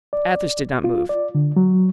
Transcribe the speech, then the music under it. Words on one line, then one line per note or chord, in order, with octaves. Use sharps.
Athos did not move.
D5
F4
D5
D3
F#3